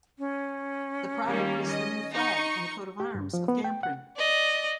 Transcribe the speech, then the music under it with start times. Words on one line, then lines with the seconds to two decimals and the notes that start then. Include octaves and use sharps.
The product was the new flag and coat of arms of Gamprin.
0.19 C#4
1.25 D#3 G3 A#3
1.72 D#5
2.13 D#4 C#6
3.00 G4
3.15 G2
3.33 F3
3.48 B3
3.64 G5
3.83 F#5
4.17 D5 D#5